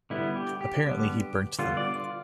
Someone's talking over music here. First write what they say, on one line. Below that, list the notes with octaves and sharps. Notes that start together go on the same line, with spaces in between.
Apparently he burnt them.
D3 G3 B3 E4
G4
G4
D3 G3 B3
D3 G3 B3 F4
D5
F4